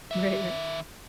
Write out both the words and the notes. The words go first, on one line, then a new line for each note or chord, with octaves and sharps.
Right, right.
D#3 E5